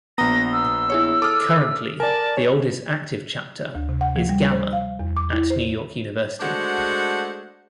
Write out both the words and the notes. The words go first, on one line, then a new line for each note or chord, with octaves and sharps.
Currently, the oldest active chapter is Gamma at New York University.
A#1 B3 A#5 D#6 A#6 G7
E6
E4 G#4 C#5
A4 D6 D#6 F6
A#4 D5 G#5 A5
C#5
D2
C3
F#5
F3
G3
C5
F5
E2
D6
E4
C5
G#3 A3 D4 F#4 C5 F#5